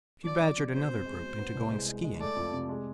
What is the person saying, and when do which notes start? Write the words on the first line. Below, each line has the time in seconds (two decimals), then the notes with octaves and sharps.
She badgered another group into going skiing.
0.24 F3 D5
0.40 F3
0.58 C3
0.73 B2 C5
0.90 C4
1.05 G#3
1.23 B2
1.39 B3
1.55 C2
1.71 G#3
1.88 G#3
2.04 G#3
2.20 A3 D5
2.36 F2
2.53 C3
2.69 G#3